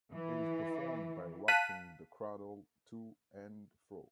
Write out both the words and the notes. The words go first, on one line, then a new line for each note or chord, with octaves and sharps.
It is performed by rocking the cradle to and fro.
E3
F5 A5 F#6 B6 D#7